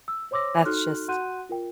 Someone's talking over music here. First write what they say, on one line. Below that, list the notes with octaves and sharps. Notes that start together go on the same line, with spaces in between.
that's just
E6
C5 C#5 C6 D6 E6 A#6
D#4 F#4 A4 C6 F6 F#6
F#4 F#5 C6 F#6 G6 D#7
F4 A#4 G5